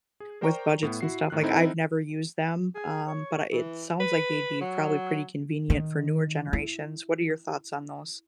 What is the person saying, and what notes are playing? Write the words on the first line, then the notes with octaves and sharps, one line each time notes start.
with budgets and stuff. Like, I've never used them, um, but, uh, it sounds like they'd be probably pretty convenient for newer generations. What are your thoughts on those?
G#4
A#4 C5 D5 G5 A#5 C#6
A2 B3
E4 F#4 C7
A2 D#3 F6 F#6
C4 D#4 E4 A4
G#4
C#5
E3
B4
F#3
D#3
E4